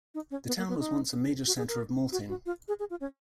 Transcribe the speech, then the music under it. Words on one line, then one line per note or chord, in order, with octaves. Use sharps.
The town was once a major centre of malting.
D#4
C#4
B3
A#3
B3
D#4
F#4
G#4
A#4
F#4
F#4
F4
G#4
G#4
F4
C#4